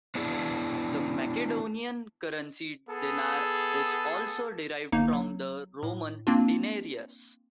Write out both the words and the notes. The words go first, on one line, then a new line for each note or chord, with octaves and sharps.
The Macedonian currency "denar" is also derived from the Roman denarius.
B3 D4 E4 G#4
B3 G#4 A4
G1 A#3 D#4
F#3
A2
A#3 C4 D4 F4